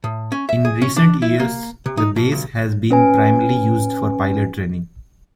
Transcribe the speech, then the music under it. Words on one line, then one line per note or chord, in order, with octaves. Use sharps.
In recent years the base has been primarily used for pilot training.
A2
C#4
E5
G#4
C#4
D4
E4
A#3
C3
D#4
B2
B1
C#4 B4 G#5